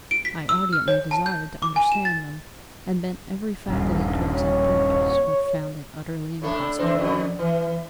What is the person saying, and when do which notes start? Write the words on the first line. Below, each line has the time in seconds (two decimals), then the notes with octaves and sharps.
I ardently desired to understand them, and bent every faculty towards that purpose, but found it utterly impossible.
0.11 D7
0.25 B6
0.49 E6
0.73 F6
0.88 C#5
1.11 A5
1.26 G6
1.62 D6
1.76 G#5
1.92 E7
2.05 A6
3.68 D#1 G2
4.34 C#5
6.42 A2 A3 D4
6.78 E3 C4 D4
6.96 F2 D#3
7.39 E3